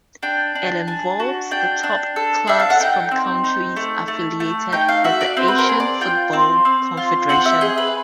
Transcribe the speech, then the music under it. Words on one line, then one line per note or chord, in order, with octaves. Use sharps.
It involves the top clubs from countries affiliated with the Asian Football Confederation.
D4 G5
D4
D4 G#5
F#4
D4 G5
D4
A4
D4 E5
F5
F#5
D#4 G5
C4
D#4
A3
A3
A3
D#4 G5
F5
F#4 E5
D5
C4 C5
B4
A#4
G#4
D5
F4 G5
C4
C4
F4
C4 F#5
E5
G#4 D#5
B4